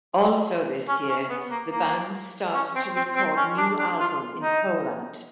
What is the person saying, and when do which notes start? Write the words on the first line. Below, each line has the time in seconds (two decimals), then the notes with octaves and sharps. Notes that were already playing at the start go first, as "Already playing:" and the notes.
Also this year the band start to record new album in Poland.
0.88 C#4
1.09 C#4
1.30 B3
1.51 A#3
1.71 A#3
2.54 C#4
2.76 C4
2.96 C4
3.16 C4
3.37 C#4
3.58 D4
3.79 D4
4.00 F4
4.42 D#4